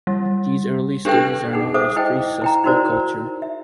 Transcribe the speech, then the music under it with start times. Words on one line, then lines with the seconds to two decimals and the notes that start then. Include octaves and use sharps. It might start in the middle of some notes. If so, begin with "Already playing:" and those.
These early stages are known as pre-Sesklo culture.
0.07 G3
1.05 D4 G4 A4 B4 G5
1.53 D#4 G#4 A4 F#5 G5
1.74 A4 C5 E5 F#5 D6 D#6
1.96 E4 C5 D#5 G5
2.42 E4 G5 A#5
2.64 D#4 E4 F#4 A#4 C5 D5
3.42 E5